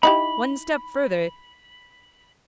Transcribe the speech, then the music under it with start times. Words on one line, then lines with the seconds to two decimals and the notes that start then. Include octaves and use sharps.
'One step further....
0.03 D#4 E4 G4 B5